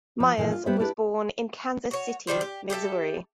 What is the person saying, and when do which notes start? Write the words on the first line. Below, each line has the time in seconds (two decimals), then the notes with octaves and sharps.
Myers was born in Kansas City, Missouri.
0.20 F3
0.37 A#2 E3 F3 A3
0.52 F4
0.66 G3 B3 G4 C5 E5
0.79 D4 E4 G4 B4
1.91 F#4 C#5
2.27 D#3 F3 G3 C5
2.41 G4
2.70 G4 A4 D#5 E5